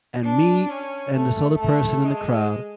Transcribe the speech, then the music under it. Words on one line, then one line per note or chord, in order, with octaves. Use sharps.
and me and this other person in the crowd,
D4
C#4
A3
A3
G#3